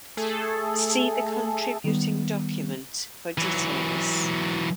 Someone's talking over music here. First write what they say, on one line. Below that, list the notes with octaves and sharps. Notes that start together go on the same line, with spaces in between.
See the contributing document for details.
A3 G#4 A4
D#3 G3 B3
E3 F#3